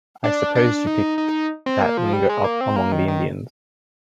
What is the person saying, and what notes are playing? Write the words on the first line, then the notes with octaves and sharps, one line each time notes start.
I suppose you picked that lingo up among the Indians.
D4
D4
D#4
D#4
C4
A#3
F3
G3
G#3
A#3
C4
A#3
D#3
D#3